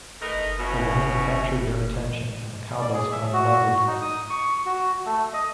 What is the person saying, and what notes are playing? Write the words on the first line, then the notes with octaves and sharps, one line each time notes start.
The women captured their attention, and the cowboys fell in love with them.
A3 D#4 A#4 B4 D#5
B2 E3 C#4
D5
G#4
E5
F#4
D#4
D#6
C#6
F#4
A3
D#5